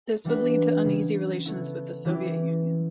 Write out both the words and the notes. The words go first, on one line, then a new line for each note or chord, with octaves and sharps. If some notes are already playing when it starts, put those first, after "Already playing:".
This would lead to uneasy relations with the Soviet Union.
E3 G3 D4 F#4 B4
C#3 G3 C#4 G4
B3 E4 A4 C#5
E3 G3 C#4 E4 G4